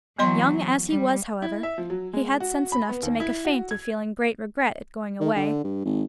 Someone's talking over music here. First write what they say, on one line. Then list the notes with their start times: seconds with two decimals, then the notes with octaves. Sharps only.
Young as he was, however, he had sense enough to make a feint of feeling great regret at going away.
0.19 E3 F#3 B3 D#5 C6
0.88 G3
1.42 E4
1.63 E5
1.78 F3
1.90 F#3
2.13 G#3
2.40 F#4
2.72 B5
2.89 B3
3.03 D#2
3.20 E4
3.45 F#4
3.71 G#6
5.20 D#3
5.36 D3
5.64 G2
5.85 G#1